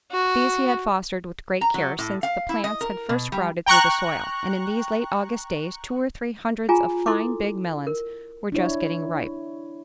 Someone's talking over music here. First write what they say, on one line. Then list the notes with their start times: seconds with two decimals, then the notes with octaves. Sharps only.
These he had fostered with great care since the plants had first sprouted through the soil, and in these late August days two or three hundreds of fine, big melons were just getting ripe.
0.11 F#4
1.61 A#5
1.74 F#3
1.99 A2
2.23 F5
2.49 E4
2.64 D#5
2.81 A#4
3.09 B2
3.32 G3
3.66 G5 A#5 C#6 F#6
6.69 F4 G#4 G#5 A#5
7.06 E4 A4 C6 D6
7.87 A#4
8.52 D4 E4 C#5